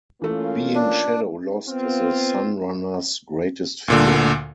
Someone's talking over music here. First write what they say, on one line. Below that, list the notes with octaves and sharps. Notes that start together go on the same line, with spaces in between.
Being Shadow-lost is a Sunrunner's greatest fear.
E3 A3 A#3 C#4 F4
D4
B3 C4 F4
D2 A#2 D3